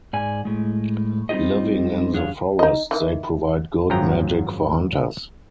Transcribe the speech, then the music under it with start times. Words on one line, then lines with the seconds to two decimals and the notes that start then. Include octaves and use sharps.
Living in the forest, they provide good magic for hunters.
0.13 G#2 D5 G#5
0.45 A2 G#3
1.29 G3 C4 D#4 F4 G4 D#5
2.14 F#2 D4 G#4 C#5 F5
2.59 D#4 D#5
2.91 D#3 E3
3.90 G#1 F#2 F3 F#3 G5 A#5